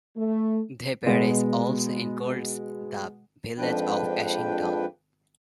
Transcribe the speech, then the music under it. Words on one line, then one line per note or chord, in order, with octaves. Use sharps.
The parish also includes the village of Ashington.
A3
B2 G#3 B3
F2 G#2 F3 D4 B4 G5